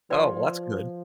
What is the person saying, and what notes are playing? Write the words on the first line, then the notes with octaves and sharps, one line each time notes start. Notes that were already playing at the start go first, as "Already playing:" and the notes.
Oh, well, that's good.
F3 B4 D5 G5 C6